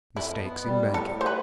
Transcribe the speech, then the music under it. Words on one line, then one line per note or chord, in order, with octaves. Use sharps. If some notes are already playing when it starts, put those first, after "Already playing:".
Mistakes in Banking.
F2 E4
B3
G3
A2
A4
A2
C5
B4